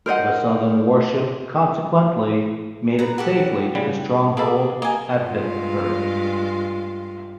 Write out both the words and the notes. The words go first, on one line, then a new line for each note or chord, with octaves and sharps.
The Southern warship, consequently, made it safely to the stronghold at Vicksburg.
A#4 C5 D#5 F#5
B4 A#5
F#4 G4 A4
C#3 G3
A#3 G#4 A4 B5 D6
A#3 D#5 G#5
G2 G#3 F4